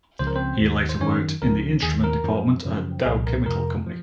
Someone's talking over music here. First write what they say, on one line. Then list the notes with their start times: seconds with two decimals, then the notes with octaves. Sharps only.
He later worked in the instrument department at Dow Chemical Company.
0.19 C#2 C#3 F3 C5
0.27 A#4
0.36 C4 C5
0.60 D#2 D#3
0.89 C5
1.01 F#2 D#3 C#4 C#5
1.41 C#2 C#3 F3 A#4
1.82 D#2 D#3 G#4
2.04 A#4
2.24 F#2 F3
2.65 F#2 C#3 F3
3.05 C2 A#2 F3 G#4
3.27 A#4
3.46 F2 C3 F3 A#4
3.87 F3